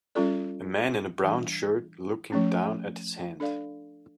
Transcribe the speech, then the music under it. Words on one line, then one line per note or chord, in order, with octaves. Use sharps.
A man in a brown shirt looking down at his hand.
G3 C#4 F4 A4 D5
E3 G3 D4
F3 A3 C#4
D4 A4 D5 F5